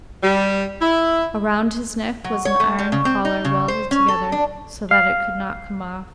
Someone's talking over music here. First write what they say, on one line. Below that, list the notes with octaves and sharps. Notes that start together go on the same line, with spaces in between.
Around his neck was an iron collar welded together so that it could not come off.
G3
E4
F#3
C#5
A3
G3
C#3
C4
D#4
C#3
C5
C#4
A4
D4
F5